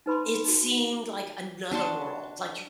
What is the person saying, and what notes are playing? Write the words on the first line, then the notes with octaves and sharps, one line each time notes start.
it seemed like another world. Like, you
D#4 B4 B5 C6
D#4 F#4
D4 F#4 A5 C6